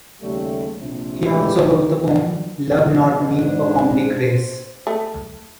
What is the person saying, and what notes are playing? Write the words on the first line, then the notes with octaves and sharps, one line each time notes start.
He also wrote the poem, Love not me for comely grace.
D#2 C#3 G3 A3
A#1 C3
A2 G#3 D4 E4 G4
D2 D#3
B2
G#2 D4
C5
A3